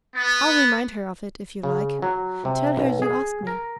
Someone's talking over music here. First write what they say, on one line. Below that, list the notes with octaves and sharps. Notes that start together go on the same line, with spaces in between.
I'll remind her of it if you like--tell her you asked me.
B3
C#3
F#3
C3
B1
G#4
A#4